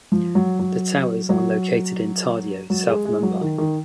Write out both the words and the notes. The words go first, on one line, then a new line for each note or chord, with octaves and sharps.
The towers are located in Tardeo, South Mumbai.
F3
F#3
F#3
F#3
F#3
G#3
G#3
F#3
D#3
D#3